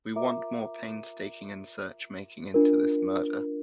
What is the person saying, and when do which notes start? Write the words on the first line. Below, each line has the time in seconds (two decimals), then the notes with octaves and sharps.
We want more painstaking and search-making into this murder.
0.15 F4 A#4 E5 A#5 D6
2.54 D4 F4 A#4